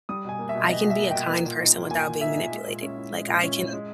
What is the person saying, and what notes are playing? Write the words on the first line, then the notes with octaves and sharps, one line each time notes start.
I can be a kind person without being manipulated." Like, I can,
G3 D#6
B2 G#5
A#3
E5
B2
G3 D#5
B2
E5
A#3
B2 G5
A#3
A#2
D#4
A#2
A#3 G#5
A#2
D#4 E5
A#2
G#3
A#2
C#4
E4
G#3
A#2
C#4
E4
G#3